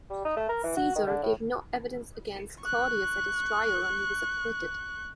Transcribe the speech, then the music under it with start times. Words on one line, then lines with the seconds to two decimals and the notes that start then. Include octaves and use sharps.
Caesar gave no evidence against Clodius at his trial, and he was acquitted.
0.10 G3
0.25 D#4
0.37 A3
0.49 A#4
0.63 E3
0.76 F#4
0.95 D#3
1.07 D3
1.23 A2
2.63 C#6 F#6